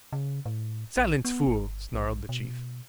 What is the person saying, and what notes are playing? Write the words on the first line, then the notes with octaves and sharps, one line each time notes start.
"Silence, fool!" snarled the chief.
C#3
A2
A#1
B3
G1
A#1
B2